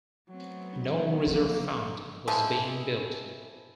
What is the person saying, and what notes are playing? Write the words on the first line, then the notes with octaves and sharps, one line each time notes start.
No "Reserve Fund" was being built.
F#3 A3 B3 C4
F3 A#3
E3 F3 G#3 E4